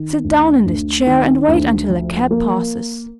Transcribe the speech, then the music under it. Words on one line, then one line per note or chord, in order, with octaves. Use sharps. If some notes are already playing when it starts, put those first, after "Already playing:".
Sit down in this chair and wait until a cab passes.
Already playing: D#3
D2
D2
D#3
D2
F3
A#3